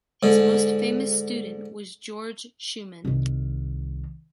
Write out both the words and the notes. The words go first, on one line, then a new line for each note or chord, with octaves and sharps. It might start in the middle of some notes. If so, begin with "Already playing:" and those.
His most famous student was Georg Schumann.
G#2 D3
C2 D#3